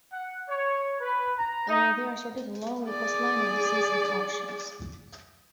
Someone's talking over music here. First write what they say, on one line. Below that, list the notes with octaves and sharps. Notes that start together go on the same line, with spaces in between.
They are sorted along the coastline of the seas and oceans.
F#5
C#5
B4
A#5
D#4
G#4 D5